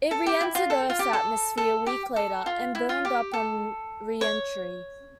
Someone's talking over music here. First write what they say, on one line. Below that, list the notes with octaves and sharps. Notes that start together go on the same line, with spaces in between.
It re-entered Earth's atmosphere a week later, and burned up on re-entry.
A4
G4
E4
F4
A4
F4
G4
A4
A4
G4
A4
F4
E4
F4
G4
A4
C#5